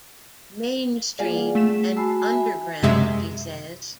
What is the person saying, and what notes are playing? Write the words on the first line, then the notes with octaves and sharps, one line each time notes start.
Mainstream and Underground, he says.
A#3 F4 G#4 D5 F5 G#5
G3 G#4 F#5
A3 B6 E7
F#4 G#5 A5 B5 E6 C7
E5
F#2 C3 G#3 E5